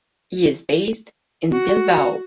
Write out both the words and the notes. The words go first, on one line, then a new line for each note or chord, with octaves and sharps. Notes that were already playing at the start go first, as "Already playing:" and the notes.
He is based in Bilbao.
F#4